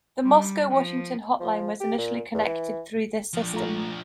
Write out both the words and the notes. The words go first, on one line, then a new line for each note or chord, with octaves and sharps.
The Moscow-Washington hotline was initially connected through this system.
G3
F3
F3
G4
A#2
E2
E3
F3 D4
A3 F4 A#5